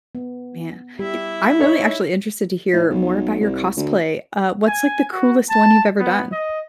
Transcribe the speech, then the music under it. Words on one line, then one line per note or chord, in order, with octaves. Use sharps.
Man, i I'm really actually interested to hear more about your cosplay, uh, what's like, the coolest one you've ever done?
B3
G3 E4 G4 E5
D#4 C#5
A2
B1
C2
D2
G#5
F#4
A5
B3
D#5